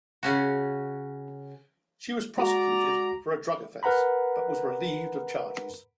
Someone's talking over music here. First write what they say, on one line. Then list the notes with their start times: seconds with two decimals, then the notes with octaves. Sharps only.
She was prosecuted for a drug offense, but was relieved of charges.
0.23 C#3 C#4 F#4
2.37 G#3 F#4 D5 A#5
3.83 A#4 B4 F#5 A#5 B5